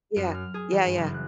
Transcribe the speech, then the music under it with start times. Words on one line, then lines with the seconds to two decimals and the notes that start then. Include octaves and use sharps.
Yeah. Yeah, yeah.
0.16 F#2
0.34 F6
0.54 G#4
0.72 E3
0.85 G2
0.98 F#1
1.14 F#6